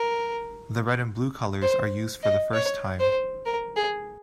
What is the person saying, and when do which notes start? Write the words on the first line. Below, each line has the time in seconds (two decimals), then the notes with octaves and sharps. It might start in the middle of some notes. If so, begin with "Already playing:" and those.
The red and blue colors are used for the first time.
Already playing: A#4
1.62 C5
2.23 D#5
2.53 C#5
3.00 C5
3.46 A#4
3.77 G#4